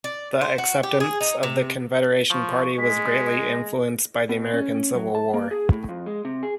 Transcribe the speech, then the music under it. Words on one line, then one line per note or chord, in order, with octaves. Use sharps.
The acceptance of the Confederation Party was greatly influenced by the American Civil War.
D5
C5
F#4
G4
G#4
D#4
C3
F3 C#6
G#3 B6
A#6
B2
C#4
F#3
A5
A#3
G#4
A2
F2
G#3
C3
G#4